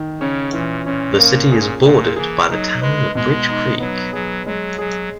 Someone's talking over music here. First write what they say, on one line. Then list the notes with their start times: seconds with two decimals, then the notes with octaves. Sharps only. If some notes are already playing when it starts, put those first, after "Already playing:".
The city is bordered by the Town of Bridge Creek.
Already playing: D#3
0.20 C#3 C#4
0.53 A#2 E3
0.85 A#2 C#4
1.19 A#3
1.51 G#4
1.84 A#2 A#3
2.16 E3 G#4
2.50 F#3 D#4
2.82 G#3 B4
3.15 B2 G#3
3.49 D#4
3.80 F#3 B3
4.13 F#3 G#4
4.46 F#3 G#3
4.78 F#3 G#4